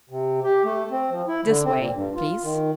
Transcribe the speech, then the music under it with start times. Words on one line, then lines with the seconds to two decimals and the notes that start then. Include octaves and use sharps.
"This way, please."
0.10 C3
0.44 G4
0.64 A3
0.91 C4
1.11 F3
1.28 E4
1.46 D3
1.65 C4
1.78 A#2
1.94 G2
2.15 F4
2.43 D#3